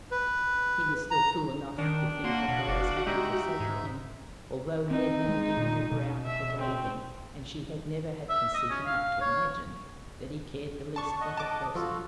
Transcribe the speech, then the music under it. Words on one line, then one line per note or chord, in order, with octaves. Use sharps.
He was still fool enough to think of her as having forsaken him, although he had never given her ground for believing, and she had never had conceit enough to imagine, that he cared the least for her person.
B4
A#5
D#3 D4
A#3 F#4 C6
B2 F5
F#1 D5 F5
G#3 D#4 G4 E5
G#2
C4 D#4
G#3
A#2
B2
E5
C4
E5
D#5
C#4
F5
C#5
D4 A5 C#6
D#5 F#5
A5 D6
F3 F4 F#4 A4